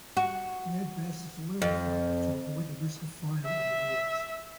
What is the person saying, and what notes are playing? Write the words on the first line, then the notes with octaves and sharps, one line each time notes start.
"Mad Bess" is oil-fired to avoid the risk of fire in the woods.
F#4
F2
E5